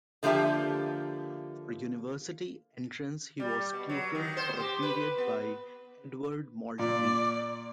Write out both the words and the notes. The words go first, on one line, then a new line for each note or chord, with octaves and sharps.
For university entrance he was tutored for a period by Edward Maltby.
D3 F3 A#3 G4 E5
G3
B2
F#3
D#3
C5
G4
B4
B3
A#2 D5